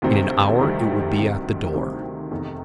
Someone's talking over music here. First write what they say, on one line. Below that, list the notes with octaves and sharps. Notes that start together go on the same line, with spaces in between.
"In an hour it will be at the door."
D2 C3 D#3 G3 C4
D2 C3 D#3 G3 C4
D2 C3 D#3 G3 C4
D2 C3 D#3 G3 C4
F1 E2 C3 D#3